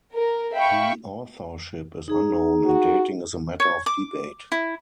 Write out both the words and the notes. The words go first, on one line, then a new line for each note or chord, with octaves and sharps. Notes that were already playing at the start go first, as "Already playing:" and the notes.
The authorship is unknown, and dating is a matter of debate.
A#4
E5 F5 G5 B5 C#6
D#4 G#4 A#5
F#4
C#5
D6
E4